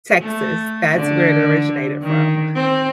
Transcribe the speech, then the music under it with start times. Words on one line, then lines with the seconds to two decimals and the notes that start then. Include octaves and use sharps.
Texas, that's where it originated from.
0.20 A3
0.93 D3
2.02 D#3
2.55 C4